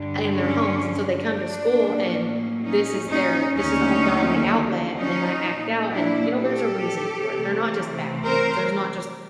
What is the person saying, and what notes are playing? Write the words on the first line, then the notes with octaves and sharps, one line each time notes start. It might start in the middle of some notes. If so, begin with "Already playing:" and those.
in their homes, and so they come to school, and this is their this is the on their only outlet, and they might act out and, you know, there's a reason for it. They're not just bad kids. There's not just,
Already playing: G2 D3 G3
C#4
D4
A2 F#3 A#3 C#4
C#4 D#4
C#4 D#4
D#2 D3 F#3 A3 C#4 D#4
C#4 D#4
A#2 F#3 A#3 C#4
D4 E4
G4 A4
C3 E3 A3 C4
A#4 C5